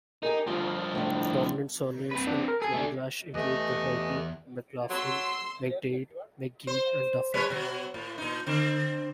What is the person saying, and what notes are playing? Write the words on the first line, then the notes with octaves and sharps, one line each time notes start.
Dominant surnames in Clonglash include Doherty, McLaughlin, McDaid, McGee, and Duffy.
D#4 G4 G#4 A#4
D2 G2 F3 F4 G5
D2 A2 D4
C4 B4
D4
A#4
G#4 A4 G#5
A3 D4
E2 A3 G4 B4 D#5 E5 G#5
F#3 C6 E6
C5
G3 B4 C#5
B2 F#3
A2
A#2 D#4
D3 C4